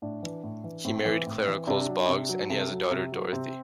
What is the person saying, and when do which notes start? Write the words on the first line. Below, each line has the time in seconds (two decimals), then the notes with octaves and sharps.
He married Clara Coles Boggs and he has a daughter Dorothy.
0.02 A2 D4
0.23 E3
0.43 A2
0.64 E3
0.85 A2 C4
1.05 E3
1.26 A2
1.47 E3
1.67 C3 D4
1.88 F#3
2.08 C3
2.29 F#3
2.50 C3 A4
2.70 F#3
2.91 C3
3.12 F#3
3.32 C3 C4